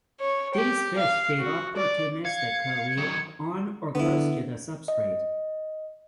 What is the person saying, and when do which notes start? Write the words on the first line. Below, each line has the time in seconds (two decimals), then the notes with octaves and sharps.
These fish feed opportunistically on or close to the substrate.
0.21 C#5
0.54 G4
0.98 F5
1.39 F#4
1.76 D5
2.25 F5 G#6 C#7
2.97 D#3 F#3
3.95 D3 B3 E4
4.88 D#5